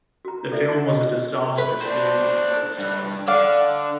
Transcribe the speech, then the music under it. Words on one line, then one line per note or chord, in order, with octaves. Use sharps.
The film was a disastrous vehicle for both stars.
F#4 A#5
A4 D5 E5
G#4 D#5
B4
D4 C5
G2
D3 D5 F5